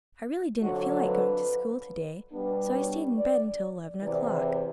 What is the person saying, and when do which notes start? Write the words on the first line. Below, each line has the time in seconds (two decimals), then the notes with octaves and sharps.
I really didn't feel like going to school to-day, so I stayed in bed until eleven o'clock.
0.61 F2 D3 F#3 F#4
1.04 B4
2.32 B2 G3 B3 D4
2.75 C#5
3.18 D5
4.03 E2 C3 E3 D5